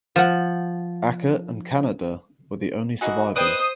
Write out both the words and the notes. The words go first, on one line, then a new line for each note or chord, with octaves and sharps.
Acker and Canada were the only survivors.
F3 F#5
E3 D#4 F#4 G#4
B4 C5 D5 D#5 G5 D#6